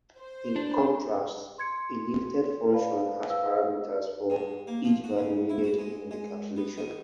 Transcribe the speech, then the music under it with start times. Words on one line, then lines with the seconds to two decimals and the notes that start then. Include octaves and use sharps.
In contrast a lifted function has parameters for each value needed in the calculation.
0.18 C5
0.56 D4
1.58 C6 G#6 C#7
2.72 B4 C5 D5 F5 A5 B5
3.30 B4 F5 E6
4.30 G#2
4.67 A#3
4.84 F3
5.04 F#4
5.17 C#3
5.49 E4
5.64 F#4
5.79 G#3
6.11 G#3
6.56 B3
6.78 D#3